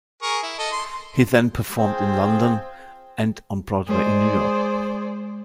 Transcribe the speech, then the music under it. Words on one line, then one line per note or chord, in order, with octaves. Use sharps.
He then performed in London and on Broadway in New York.
G#4 A#4 C#6
E4
A4 D#5
C6
C4 F4 G#4 G5
G#3 G#4 C5 D5